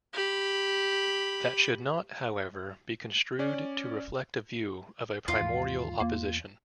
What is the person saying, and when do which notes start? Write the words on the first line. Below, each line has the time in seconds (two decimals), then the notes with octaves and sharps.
That should not, however, be construed to reflect a view of a primordial opposition.
0.13 G4 B5
3.39 C#4 D5
5.28 E2 F4
5.40 D#2 G#2 E3
6.00 E2 A#3